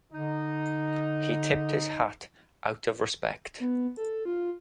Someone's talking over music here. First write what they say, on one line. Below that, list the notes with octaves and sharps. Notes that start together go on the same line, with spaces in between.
He tipped his hat out of respect.
D3 D#4
B3
A4
F4